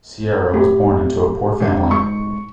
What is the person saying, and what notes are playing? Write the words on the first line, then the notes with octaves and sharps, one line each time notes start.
Sierra was born into a poor family.
A2 G4
G#2 D3
G#2 C#6